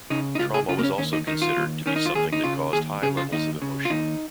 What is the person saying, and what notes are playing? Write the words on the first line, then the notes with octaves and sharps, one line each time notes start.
Trauma was also considered to be something that caused high levels of emotion.
C#3 D#4
D#4
C#2 F4
G#4
C#3 F4
A#3
C#4
D#2 C#4
D#4
D#3 D#4
F4
D#2
D#3 C#4
D#4
F4
D#2 G#4
D#4
C#3 F4
D#2 G#4
C#3 G#4
F4
D#2 D#4
C#3
F4
D#2 D#4